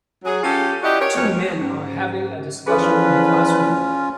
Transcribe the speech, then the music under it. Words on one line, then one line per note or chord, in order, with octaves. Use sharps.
Two men are having a discussion in a classroom.
F#3 G#4
C#4 F4 G4 A4
E4 F#4 G4 D5 D#5
G4 A#4 C#5
F2 F#3 C#4 C#5
G#2 C#4
E2 F3 C#4 F4 G#4 A4 B4